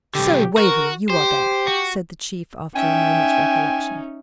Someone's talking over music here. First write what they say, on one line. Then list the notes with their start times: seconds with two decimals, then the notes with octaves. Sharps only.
'So, Waverley, you are there,' said the Chief, after a moment's recollection.
0.15 B1 D3 G4
0.57 F#4 A#4
1.10 G4 C5
1.67 F#4
2.75 C#4 D#4 E5 G5 G#5